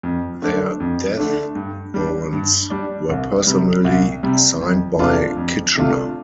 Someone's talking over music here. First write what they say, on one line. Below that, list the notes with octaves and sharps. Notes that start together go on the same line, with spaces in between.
Their death warrants were personally signed by Kitchener.
F2
D3 A3 D4
F2
D3 A3 D4
G2
G3 D4
G2
G3 D4
C2
C3 G3
C2
C3 G3
F2
C3 A3 D4 F4
F2
C3 A3 D4 F4